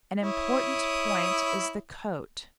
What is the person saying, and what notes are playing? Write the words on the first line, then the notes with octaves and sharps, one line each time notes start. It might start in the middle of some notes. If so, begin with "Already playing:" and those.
An important point is the coat.
E4 C#5 D#6